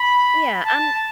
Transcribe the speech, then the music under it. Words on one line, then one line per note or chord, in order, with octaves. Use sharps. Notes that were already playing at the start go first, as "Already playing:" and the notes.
Yeah, I'm
Already playing: B5
A5